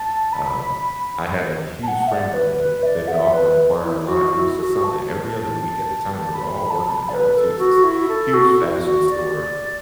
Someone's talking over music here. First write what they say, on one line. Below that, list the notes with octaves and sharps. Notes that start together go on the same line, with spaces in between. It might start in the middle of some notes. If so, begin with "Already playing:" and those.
Um, I had a huge friend group, and they would often require a lot. It was just something every other week at the time, we were all working together too. It's this huge fashion store
Already playing: A5
B5
A5
F#5
E5
D5
B4
B4
E5
D5
F#5
E5
B4
E4
E4
F#4
E4
A4
F#4
A5
B5
B5
A5
B5
D5
B4
B4
A4
F#4
E4
A4
F#4
E4
F#4
D5